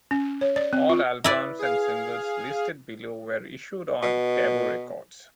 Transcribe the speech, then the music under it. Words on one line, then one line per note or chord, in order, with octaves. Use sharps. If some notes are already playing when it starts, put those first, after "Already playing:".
All albums and singles listed below were issued on Tabu Records.
C#4
C#5
D5
C4
F4
E4 B4 D5
G#4 F5
B2